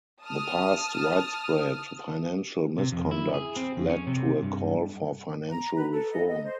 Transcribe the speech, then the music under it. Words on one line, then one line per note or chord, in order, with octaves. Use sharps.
The past widespread financial misconduct led to a call for financial reform.
A5 D#6 F6
C3
F2
E4
G#4
C4
F2
C#4
C3
G2
A#5
B4
A4
D#5
D#5
C5